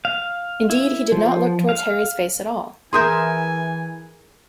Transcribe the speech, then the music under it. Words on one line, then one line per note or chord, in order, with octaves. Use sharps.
Indeed, he did not look towards Harry's face at all.
F5
E4
F3
F5
E3 G#4 A#4 E5 G#5 C6 D#6 G6